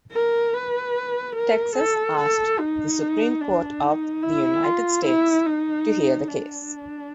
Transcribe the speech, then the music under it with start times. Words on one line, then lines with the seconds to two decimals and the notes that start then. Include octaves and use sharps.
Texas asked the Supreme Court of the United States to hear the case.
0.12 A#4
0.54 B4
1.36 A#4
1.76 A4
2.18 A4
2.59 D#4
3.41 D4
3.82 D#4
4.23 E4
4.64 F4
5.05 E4
5.46 D#4
6.28 D4